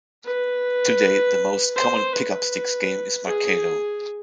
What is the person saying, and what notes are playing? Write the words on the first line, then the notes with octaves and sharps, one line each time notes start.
Today, the most common pick-up sticks game is Mikado.
B4
C5
B4
G#4